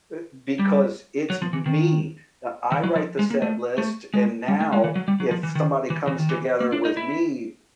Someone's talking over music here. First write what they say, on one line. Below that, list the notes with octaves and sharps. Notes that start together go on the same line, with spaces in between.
e because it's me. I I write the set list, and now if somebody comes together with me,
G3
F#3
F3
E3
D#3
E3
F#3
F3
G#3
A#3
A3
A3
G#3
G3
A3
G#3
E3
F#3
G3
F#3
F3
E3
D#3
E3
E3
D#3
E3
A#3
D4
D#4
E4